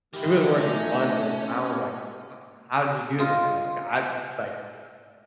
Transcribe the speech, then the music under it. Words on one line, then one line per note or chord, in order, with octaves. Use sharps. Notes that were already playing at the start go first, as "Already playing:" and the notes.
It was working wonders, and I was like, "H how'd you do that? Like, I it's like,
D#3 G#3 E4 G4
A3 C#4 D#4
C4
A#3 G4
F4 D#5